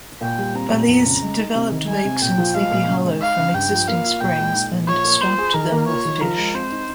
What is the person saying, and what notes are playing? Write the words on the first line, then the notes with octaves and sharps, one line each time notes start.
Falese developed lakes in Sleepy Hollow from existing springs and stocked them with fish.
A#2 G5
G3
C4 A#5
A#2
F2
C#3
G#3
D#4
C3
D#3
G#3 G#5
C3
A#2 G5
F3
G#3 F5
A#2
C#3
G#3
D#4 F5
C#3
G2 G5
F3
A#3 F5
F4
A#2 G5
G#3
D#4
A#2
F3 C#5
A#3
F4 C5
G#4
D#3 A#4
A#3
F4 C#5
D#3
F3 A#4
G#3
C4 C5
D#4